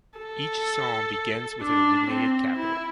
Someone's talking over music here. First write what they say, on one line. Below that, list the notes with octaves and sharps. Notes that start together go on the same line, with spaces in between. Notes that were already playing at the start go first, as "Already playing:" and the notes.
Each psalm begins with an illuminated capital.
A4
D4
C4
E4